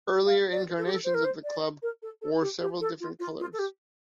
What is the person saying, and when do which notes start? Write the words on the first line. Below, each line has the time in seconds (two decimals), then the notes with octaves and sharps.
Earlier incarnations of the club wore several different colours.
0.26 F5
0.52 D5
0.78 A4
0.86 G4
0.92 A4
1.04 C5
1.14 A#4
1.24 C5
1.44 D5
1.82 A#4
2.02 A4
2.22 A4
2.41 G4
2.61 G4
2.81 A4
3.00 F4
3.19 F4
3.39 F4
3.53 A4
3.59 G4